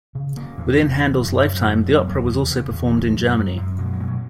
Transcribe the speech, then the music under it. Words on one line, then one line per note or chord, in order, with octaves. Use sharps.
Within Handel's lifetime, the opera was also performed in Germany.
C#3
C#3 A#3
E2
E2
C#3
F#2
F#2
C#3
F#2
B3
E2 A#3
C#3
C#3
E2
C#3 G#3
F#2
F#2
F#2
B2 F#3
G#3
F#3
B2 G#3
F#3